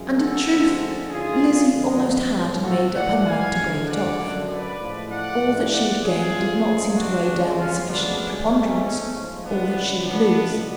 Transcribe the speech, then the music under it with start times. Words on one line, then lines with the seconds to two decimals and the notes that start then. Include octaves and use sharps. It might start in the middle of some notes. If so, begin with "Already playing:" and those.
And, in truth, Lizzie almost had made up her mind to break it off. All that she would gain did not seem to weigh down with sufficient preponderance all that she would lose.
Already playing: F#2 C#3 F3 G#3
0.17 F#4 A4
0.48 D2 D3 F3 G#3
1.09 D2 C#3 G#3 F4 G#4
1.71 F2 D3 G#3
2.33 A2 F#3
2.64 F#4 A4
2.95 A2 G#3 D5 F#5
3.26 F5 G#5
3.56 D2 D3 F3 G#3
3.88 D5 F#5
4.18 F#2 D3 F#3
4.49 B4 D5
4.80 A2 F3 G#3
5.11 D5 F#5
5.42 A2 F3 G#3
5.73 D5 F#5
6.03 F2 D3 G#3 F4 G#4
6.65 F#2 F3 G#3
6.96 D4 F#4
7.27 F2 C#3 G#3
7.58 C#4 F4
7.89 D2 C#3 G#3 B3 D4
8.50 G#2 G#3 A3 C#4
9.13 G#2 F3 G#3
9.43 B3 D4
9.74 C#2 C#3 F#3
10.05 B3 D4
10.36 C#2 B2 G#3